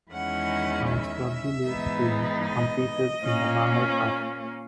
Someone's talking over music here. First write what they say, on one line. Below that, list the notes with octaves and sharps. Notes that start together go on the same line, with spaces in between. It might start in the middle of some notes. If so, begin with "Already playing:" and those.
The town's rugby league team competed in the Maher Cup.
E2 D#3 G#3 C#4 E4 F#5
E5
G#2 E3 B3 D#4
D#5
A#2 A#3 C#4